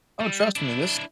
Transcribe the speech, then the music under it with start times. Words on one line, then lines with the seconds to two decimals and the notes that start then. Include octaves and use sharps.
Oh, trust me, this
0.20 G3
0.56 D4 E4